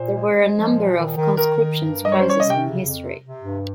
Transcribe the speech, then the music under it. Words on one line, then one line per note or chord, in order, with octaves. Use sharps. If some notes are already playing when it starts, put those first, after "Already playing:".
There were a number of conscription crises in history.
Already playing: A#2 C5
G#3
G#3
F3
A#2
D#3
D#3
D#3 A#4
D#3
G2
G3
D#5
C#5
C#4 C5
C#5
C3 D#5
G5
C#3
F2
C3
C3
G2